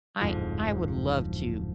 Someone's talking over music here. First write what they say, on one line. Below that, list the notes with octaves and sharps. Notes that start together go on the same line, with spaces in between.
I I would love to,
D1 F2 G#2 F3